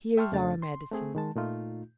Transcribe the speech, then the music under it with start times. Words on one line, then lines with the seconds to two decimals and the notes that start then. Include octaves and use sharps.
Here is our medicine.
0.17 E5 G5 A5 C6 C#6 F6
0.32 F2 C#3 A3 D4 A6
0.62 C6
0.92 A3 C4 G#4
1.15 D#3 G#3 A5
1.36 A#2 A3 D#4 F4